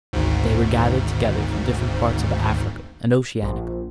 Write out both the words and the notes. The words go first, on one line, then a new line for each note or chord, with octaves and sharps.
They were gathered together from different parts of Africa and Oceanica.
G#1 D2 G#2
A#1